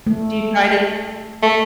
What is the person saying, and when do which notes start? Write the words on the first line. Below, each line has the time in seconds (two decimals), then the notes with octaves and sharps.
Do you try to
0.07 A3
1.43 A3